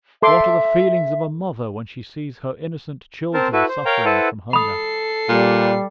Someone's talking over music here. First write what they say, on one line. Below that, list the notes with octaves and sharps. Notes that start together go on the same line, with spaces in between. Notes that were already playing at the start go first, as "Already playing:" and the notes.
What are the feelings of a mother when she sees her innocent children suffering from hunger!
A4 E5 C6 D6
C4 A#4 C5 A5
E4 F#4 A4 B4
C5
A#4 C#5 F5 G5 A#5
E4 A4 B4 C5 F#5 A5
A4 B5 D#6 C7
A#2 G3